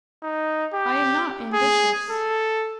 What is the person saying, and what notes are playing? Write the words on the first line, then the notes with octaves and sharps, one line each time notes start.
"I am not ambitious."
D#4
G4
G#4
A4